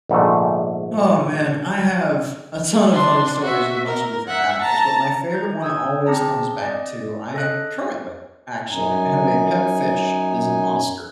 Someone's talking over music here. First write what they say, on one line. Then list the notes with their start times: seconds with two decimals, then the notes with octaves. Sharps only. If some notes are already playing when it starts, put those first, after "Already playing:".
Oh, man. I have a ton of funny stories with a bunch of different animals, but my favorite one always comes back to I currently, actually, have a pet fish, is an oscar.
0.09 A#1 G#2 D3 A3
2.93 D4 C6
3.41 F#4 E5
3.86 A#4
4.27 E5 F#5
4.61 A5 A#5
5.33 A#5 G6 G#6
5.62 D#6 E6 G6 G#6
6.06 C4 D4 G#4 A5 A#5
6.62 D5 D#5
7.34 A4 D#5 F#6
8.70 F#2 D#4 G#5